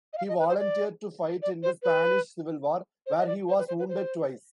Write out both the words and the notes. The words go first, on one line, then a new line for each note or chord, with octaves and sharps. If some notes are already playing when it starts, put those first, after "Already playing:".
He volunteered to fight in the Spanish Civil War, where he was wounded twice.
D#5
F5
D#5
B4
C5
D5
D5
C5
B4
C5
D#5
D5
C5
B4
C5
B4
C5